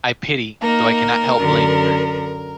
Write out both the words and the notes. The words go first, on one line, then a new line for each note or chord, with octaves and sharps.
I pity, though I cannot help blaming her.
A#3 D#4 A#4
F#2 D3